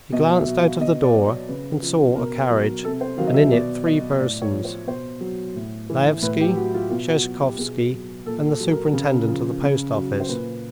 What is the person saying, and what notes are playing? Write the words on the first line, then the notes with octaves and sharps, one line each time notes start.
He glanced out of the door and saw a carriage and in it three persons: Laevsky, Sheshkovsky, and the superintendent of the post-office.
B2 D#5
E5
F#3
F5
B2 D#5
D5
F#3
C#5
C#3 B4
F3
B2 A#4
F#3
C3 A4
C5
D#3 F#3 F5
D#5
E5
B2 D5
F#3 D#5
A2 D5
C#5
F3
C5
B2 C5
F#3
A2
E3
A2 B4
G4
F#3 F#4
F4
B2 F4
F#4
F#3
G4
B2 G#4
F#3
A#2 A4
A4
F#3
A#4
C#3
F3
C#3
F#3
C5
A#2 B4